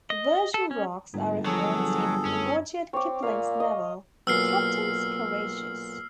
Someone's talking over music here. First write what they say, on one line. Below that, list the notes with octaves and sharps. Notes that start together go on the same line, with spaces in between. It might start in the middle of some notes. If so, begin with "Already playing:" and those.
The Virgin Rocks are referenced in Rudyard Kipling's novel, Captains Courageous.
D#5
A4
C#4
G1 G#2
F3 F#3 G#4 A4
F#2 C#4
C4 C#5 D6
A#2 F5 G#5
D#5
B1 A#2 E6 F6 C7